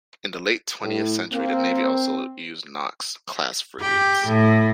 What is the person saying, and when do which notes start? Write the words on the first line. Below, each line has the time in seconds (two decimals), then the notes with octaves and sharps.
In the late twentieth century the navy also used "Knox"-class frigates.
0.82 A2
1.33 A#3 C4
3.80 G4
4.27 A2